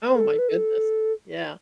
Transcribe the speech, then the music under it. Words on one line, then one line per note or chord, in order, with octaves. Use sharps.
Oh my goodness. Yeah.
A4
B4
A4